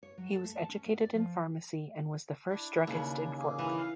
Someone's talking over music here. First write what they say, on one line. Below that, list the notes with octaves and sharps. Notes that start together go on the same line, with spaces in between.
He was educated in pharmacy and was the first druggist in Fort Wayne.
C#5
F#3
A4
A3
A5
C#4
B3
D5
F3
D4 E4
D#2 C#3
A#3 G#4
E3
F5